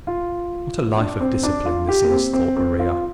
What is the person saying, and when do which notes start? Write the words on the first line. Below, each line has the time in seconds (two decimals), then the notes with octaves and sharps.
"What a life of discipline this is!" thought Maria.
0.07 F4
0.97 D4
1.20 C4
1.43 D4
1.65 F4
1.88 G4
2.04 A#3
2.10 C4
2.33 C4
2.56 C4
2.79 F4